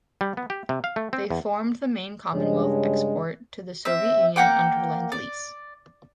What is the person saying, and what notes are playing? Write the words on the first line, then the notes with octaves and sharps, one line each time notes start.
They formed the main Commonwealth export to the Soviet Union under lend-lease.
G3
B3
G4
C3
F5
A3
C4
E2
G2 C#3 G#3 D4 C#5 D#5
C4 E5
A#3 F#5 G5 D6
D5